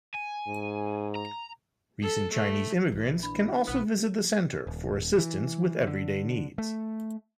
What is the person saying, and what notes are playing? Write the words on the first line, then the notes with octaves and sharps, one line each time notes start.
Recent Chinese immigrants can also visit the Center for assistance with everyday needs.
G#5
G#2
A#5
A4
A3
A#1 E3 E4
D4 B5
B1 B3 C5
D#1
E3
D3
A3